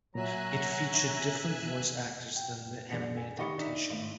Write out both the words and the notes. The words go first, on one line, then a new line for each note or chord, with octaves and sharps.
It featured different voice actors than the anime adaptation.
A#2 F#3 E5 G#5 A#5 F#6
G5
F#2 D4 G#4 B6 C#7
A4 G#5
D#3 G4 D#5 B5 C#6 C#7
D4 D#4 E5 B6
G#1 A2